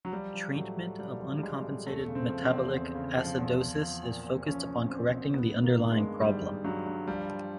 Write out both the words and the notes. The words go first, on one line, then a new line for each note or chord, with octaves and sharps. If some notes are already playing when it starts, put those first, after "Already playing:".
Treatment of uncompensated metabolic acidosis is focused upon correcting the underlying problem.
F#3
F3 G3
F3
A2 F#3
A2
F3 G3
F3
G3
A2 G#3
A2
E2 A3
C#3
C4
F3
C4
E2
E2
C#3
F3
E2
F3
F3
A#2
A#2
F3 C#4
F3
A#2 C4
A#2
D#3 B3
D#3
A#3
G2
G#3
G2
D#3 G3
D#3
G2 F#3
G2
F3 G3
F3